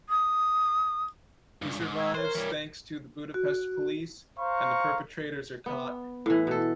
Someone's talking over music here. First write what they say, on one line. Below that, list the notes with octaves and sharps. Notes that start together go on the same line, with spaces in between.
He survives thanks to the Budapest Police and the perpetrators are caught.
D#6
C#2 G2
G#2
A#5 E6 G#6
A#4 C5 C#5
E3 G3
F#4
C5 F5 A#5 C#6
B3
A2 E3
B2 A4